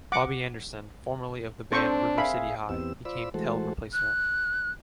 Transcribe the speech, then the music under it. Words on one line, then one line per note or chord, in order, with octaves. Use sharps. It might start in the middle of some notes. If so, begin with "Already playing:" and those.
Bobby Anderson, formerly of the band River City High, became Tell replacement.
F#5 D6
C4 D4 A4 C5 C#6
G#4 E5 F5 B5
E2 B3 C4 G4 E6
F4 C5 D5 B5 E6
E3 G#3 A3 F#4 A4 C5
F#6